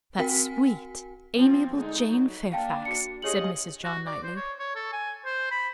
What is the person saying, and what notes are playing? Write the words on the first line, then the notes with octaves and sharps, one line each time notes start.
"That sweet, amiable Jane Fairfax!" said Mrs. John Knightley.
C4 F#4 A#4 G5 G#5 B6
F3 C4
D3 G#3 D#4
F#3
A#3 D4 F5 G5 A5
F#4 C#7
F4 G4 G#4 C#5 D#5 F#7
F#4
D5
C5
C#5
C#5
A4
G#5
C5
B5